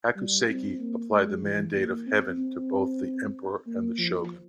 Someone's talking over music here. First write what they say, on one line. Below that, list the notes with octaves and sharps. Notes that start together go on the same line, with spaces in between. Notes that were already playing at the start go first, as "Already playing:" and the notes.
Hakuseki applied the mandate of heaven to both the emperor and the shogun.
G3
C4
A#3
G#3
E3
A#3
C4
C4
A#3
F3